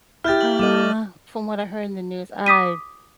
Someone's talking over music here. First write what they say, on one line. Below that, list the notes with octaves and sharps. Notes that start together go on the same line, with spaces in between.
Uh, from what I heard in the news, I
E4 G4 F6 G6 A6
F#7
G3 A4 D#5 D6 D#7 F#7
D6 D#6 B6 D#7